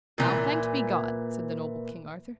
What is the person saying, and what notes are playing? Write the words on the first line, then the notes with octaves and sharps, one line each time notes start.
NOW thanked be God, said the noble King Arthur.
A#2 D3 E3